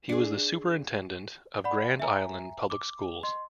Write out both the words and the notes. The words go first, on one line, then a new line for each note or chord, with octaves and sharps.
He was the superintendent of Grand Island Public Schools.
D4 G#4
D5 F#5 B5
E5 G#5 A#5
D6
D#5 C6